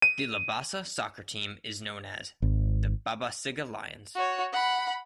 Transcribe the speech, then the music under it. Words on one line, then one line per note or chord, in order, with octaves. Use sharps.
The Labasa soccer team is known as the "Babasiga Lions".
D#7
G#1
F#4 C#5
F#5 B5